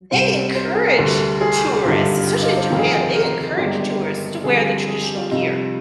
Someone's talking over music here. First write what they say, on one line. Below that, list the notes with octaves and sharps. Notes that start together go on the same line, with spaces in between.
they encourage tourists, especially in Japan, they encourage tourists to wear the traditional gear,
C2 C3 G3 C5
C5
A#4
G#4
A#4
D2 D3 G3
G#4
G4
G4
G#1 G2 D3 F4
F4
D#4
C5
F1 F2 D#3
G#4
A#4
C5
A#4
G1 G2 D#3 G#3 D5
A#4
F2 D3 G3 G#4
G#4
G4
F4
F2 C3 G3 D#4